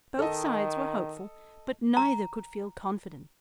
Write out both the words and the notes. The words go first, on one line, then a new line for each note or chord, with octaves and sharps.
Both sides were hopeful, but neither could feel confident.
D#3 A4 D#5
A#5